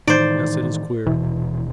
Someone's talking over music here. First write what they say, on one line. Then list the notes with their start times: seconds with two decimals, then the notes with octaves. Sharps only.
Yes, it is queer.
0.07 A2 D#3 E3 D#4 C5 D5
1.06 D#1 B2 E3